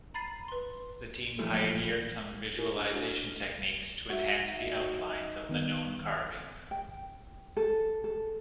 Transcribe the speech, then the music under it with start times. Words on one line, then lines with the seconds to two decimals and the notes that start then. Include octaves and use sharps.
The team pioneered some visualisation techniques to enhance the outlines of the known carvings.
0.14 A#5 B5 A6 C7 D#7
0.48 B4 C6
1.39 G2 A#2 E3 F3 G3 A3
2.58 E4 G4 A#4 G#5
2.76 D4 B4
2.94 D4 F#4
3.11 F6
4.10 D#4 F#4 E5
5.49 D#3 B3
6.71 G5
7.57 A4
8.04 A4